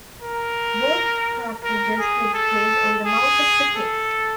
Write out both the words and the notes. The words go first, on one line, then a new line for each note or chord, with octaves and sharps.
Both cartridges headspace on the mouth of the case.
A#4
A#4
G#4
A4
G#4
A4